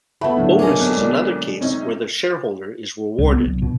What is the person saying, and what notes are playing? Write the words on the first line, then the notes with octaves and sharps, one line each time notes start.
Bonus is another case where the shareholder is rewarded.
A3 B3 B5
A2 D3 F#3 D4
A#3 C#4 G#4 D#5
B1 A4
G#3 D5
C3 C#4 D#4
C2
B3
B1
B2